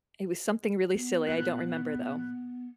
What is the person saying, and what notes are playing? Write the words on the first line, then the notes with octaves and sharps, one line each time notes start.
It was something really silly, I don't remember, though.
B3
A#2 F#6